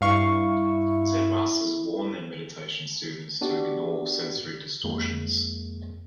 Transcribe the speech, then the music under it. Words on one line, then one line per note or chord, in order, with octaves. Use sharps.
Zen masters warn their meditating students to ignore sensory distortions.
G2 E4 F5 C#6
B3 D4 F#4 G4 D5
F2 G#3 A#3